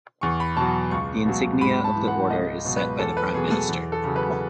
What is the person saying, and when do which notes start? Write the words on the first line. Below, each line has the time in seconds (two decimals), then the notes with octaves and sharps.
The insignia of the Order is set by the Prime Minister.
0.21 E2 C#6
0.40 B5
0.56 B2 F#3 A5
0.91 C#2 C#6
1.26 B2 F#3
1.61 G#2 B5
1.84 A5
1.96 E3
2.08 F#5
2.30 C#2 D#5
2.65 B2 F#3
2.77 B4
2.99 E2 A4
3.17 B4
3.34 B2 F#3 G#4
3.51 A4
3.69 E2
3.92 A4
4.04 C#3 F#3
4.16 B4